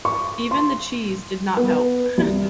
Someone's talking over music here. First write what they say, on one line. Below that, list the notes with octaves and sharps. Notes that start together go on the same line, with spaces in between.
Even the cheese did not help.
C#6
C6
B3
C2